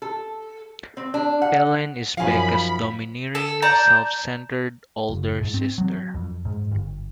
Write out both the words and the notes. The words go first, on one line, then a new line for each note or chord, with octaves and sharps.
Ellen is Becca's domineering, self-centered older sister.
A4
C4
D4
F#5
F#2 F3 D#4 F5 G#5 B5
A4
D5 A5 A#5 G6
F#1
G#2
C4
F#3
F2
G#2
G1